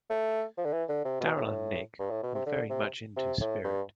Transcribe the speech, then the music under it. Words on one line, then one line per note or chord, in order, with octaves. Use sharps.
Darryl and Nick were very much into Spirit.
A3
F3
D3
E3
D3
C3
B2
A2
G2
A2
B2
C3
D3
C3
C3
A2
G2